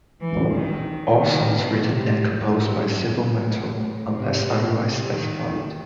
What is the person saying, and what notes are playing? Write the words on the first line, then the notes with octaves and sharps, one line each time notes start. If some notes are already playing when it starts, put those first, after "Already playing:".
All songs written and composed by Cibo Matto, unless otherwise specified.
E3
D#3
D#3
B2
C3
A2
G2
F#2
A2
A2
C3
B2
C3
D#3